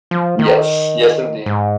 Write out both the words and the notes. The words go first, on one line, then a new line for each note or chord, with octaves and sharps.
Yes, yes, indeed.
F3
D#3
G#2